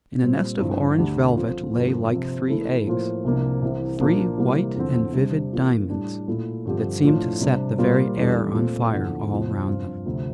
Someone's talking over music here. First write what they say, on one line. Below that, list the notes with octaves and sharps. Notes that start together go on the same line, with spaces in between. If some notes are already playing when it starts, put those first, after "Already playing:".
In a nest of orange velvet lay like three eggs, three white and vivid diamonds that seemed to set the very air on fire all round them.
A#2 G3 C4
G2 F3 C4 E4
D2 D3 A3 D4 G4
F3 C4 F4 C5
G2 D3 F3 A#3
C3 F3 C4 F4
E3 A3 E4 A4
A2 F3 A#3 F4 C5
C2 C3 F3 A#3 D4
C2 C3 E3
A#2 F3 A#3 D4
C3 E3 G3 A#3 F4
E2 D3 F3 C4
C3 G3 D4
E3 A#3 F4
A2 G3 D4
A#2 A3 E4
G2 D3 F3 C4 G4
A2 F3 A3 D4 F4
C3 G3 D4
A#2 G3 A#3 F4 C5
E2 E3 G3 D4 A4
A#2 A3 C4
E2 D3 F3
E2 C3 F3
G2 F3 C4 F4
D2 C3 F3 A3 C4